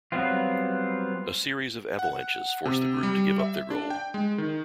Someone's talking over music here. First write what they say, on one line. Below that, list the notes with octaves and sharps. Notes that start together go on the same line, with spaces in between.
A series of avalanches forced the group to give up their goal.
F#3 G3 B3 C4 F4
F#5
C3
G3
E5
D4
G5
G#3
D#3